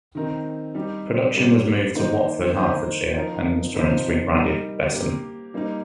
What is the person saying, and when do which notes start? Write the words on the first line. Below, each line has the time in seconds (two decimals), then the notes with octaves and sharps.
Production was moved to Watford, Hertfordshire, and the instruments rebranded Besson.
0.15 D#3 C4 D#4 A#4
0.75 G3 D#4 G4
1.35 G3 A#3 G4 C5
1.94 D#3 A#3 D#4 C5
2.55 D#3 A#3 D#4 C5
3.14 F3 D#4 A#4
3.74 C3 F3 D#4 C5
4.34 G3 D#4 A#4
4.93 A#3 G4 A#4
5.54 G3 A#3 D#4